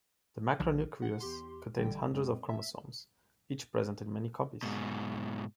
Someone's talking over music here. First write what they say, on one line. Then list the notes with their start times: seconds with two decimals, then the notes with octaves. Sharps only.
The macronucleus contains hundreds of chromosomes, each present in many copies.
0.60 A#1 D3 F3 G3
1.02 F#5
1.20 E2 G4 C6
1.78 A1 D3 G3 G5
2.12 F#2 G#3 C4
2.49 E5
4.63 G#2 B2